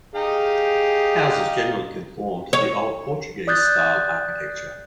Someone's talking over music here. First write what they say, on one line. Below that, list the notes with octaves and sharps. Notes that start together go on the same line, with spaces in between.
Houses generally conform to the old-Portuguese style architecture.
D#4 G4 G#4 F5
C#5
D5 D#6 F#6 G6 A6